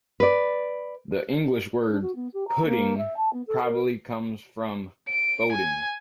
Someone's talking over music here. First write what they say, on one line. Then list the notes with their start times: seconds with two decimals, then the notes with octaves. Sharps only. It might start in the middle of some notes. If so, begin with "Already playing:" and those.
The English word "pudding" probably comes from "boudin".
0.20 B4 D5
1.90 D4
2.02 F#4
2.15 B3
2.33 G4
2.48 A#5
2.65 A#3
2.97 E5
3.16 A5
3.33 B3
3.47 A4
3.63 A#4
5.08 D7
5.52 G#5